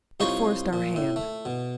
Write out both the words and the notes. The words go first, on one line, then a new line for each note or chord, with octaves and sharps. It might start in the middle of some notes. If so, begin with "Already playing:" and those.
It forced our hand.
C2 D#4 F4 C5 C#5 C#6
A#2
A2
A3
B2